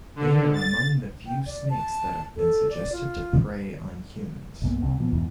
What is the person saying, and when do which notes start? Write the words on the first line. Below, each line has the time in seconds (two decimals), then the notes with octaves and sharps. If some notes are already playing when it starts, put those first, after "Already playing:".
They are among the few snakes that have been suggested to prey on humans.
0.16 D3
0.54 A6
1.25 G5
1.46 D5
1.70 A5
2.36 A4
2.70 D5
2.92 F4
4.62 B1 G2 A#3 B3
4.82 C2 C4
4.98 A#2 F3 B3
5.13 E2 G#2 B2 E3